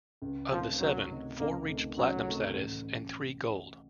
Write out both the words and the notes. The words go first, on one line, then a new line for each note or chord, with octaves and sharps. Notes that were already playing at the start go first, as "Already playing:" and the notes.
Of the seven, four reached platinum status, and three gold.
C#2
C3 D#3 F3 A3 D#4
C#2 F#3
C3 D#3 A3 D#4
C#2 A#3
C3 D#3 A3 D#4
C#2 F#3
C3 D#3 A3 D#4
A1